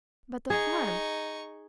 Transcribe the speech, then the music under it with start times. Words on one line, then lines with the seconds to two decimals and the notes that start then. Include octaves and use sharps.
"But the farm?"
0.50 D#4 G#4 C#6